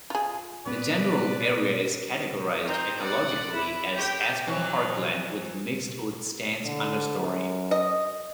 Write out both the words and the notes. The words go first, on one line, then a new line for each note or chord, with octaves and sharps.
The general area is categorized ecologically as aspen parkland with mixedwood stands understory.
F4 G#4
A2 B3 C4 B4 D5
C4 D#4
D5 F#5
E4
G4 G5
F2 E3 F#3
D3
F#2
D#5